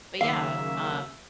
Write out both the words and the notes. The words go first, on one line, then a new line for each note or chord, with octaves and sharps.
But yeah, um
D#2 C#3 F#3 A#3 G4 E5 F5